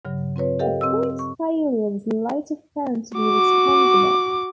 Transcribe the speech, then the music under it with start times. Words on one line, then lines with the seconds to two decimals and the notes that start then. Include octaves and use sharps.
A points failure was later found to be responsible.
0.05 G2 C#3 F#3
0.36 C4 F4 B4 C#5
0.59 G4 A4 A#4 D#5 F5 G5
0.81 C4 D#5 E6
1.19 C#6
3.19 F#4 D6